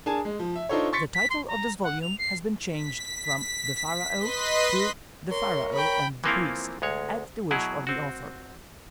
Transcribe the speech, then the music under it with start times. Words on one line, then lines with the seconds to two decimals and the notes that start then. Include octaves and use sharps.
The title of this volume has been changed from "The Pharaoh" to "The Pharaoh and the Priest," at the wish of the author.
0.06 D4 G#4 A#4 G#5 A5
0.25 G#3
0.39 F3
0.56 E5
0.69 D4 D#4 F4 A4 C5 C#5
0.93 C6 C#6 A6 B6 C#7
1.15 B6
1.30 C6
1.48 A#5
1.83 F#5
2.02 F7
2.19 C7
2.68 B6
4.18 B4 D#5 C6 B6
5.31 A#4 C#5 C6
5.73 G5 B5
6.24 E3 F3 A#3 C4 E4 F4
6.82 D2 G#3 C#5
7.51 B2 F#3 E4 G#4
7.87 C4 F#4